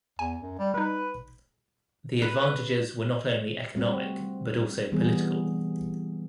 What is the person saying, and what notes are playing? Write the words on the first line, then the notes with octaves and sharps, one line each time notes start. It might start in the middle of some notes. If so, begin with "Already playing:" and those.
The advantages were not only economic, but also political.
E2 G#5
F#2
G3
G3 D#4 B4
B4
G3 A3 C4 F#4
E3 G3 B3 G#4